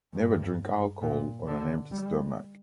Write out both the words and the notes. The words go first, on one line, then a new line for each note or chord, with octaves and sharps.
Never drink alcohol on an empty stomach!
G2
A#2
D3
G3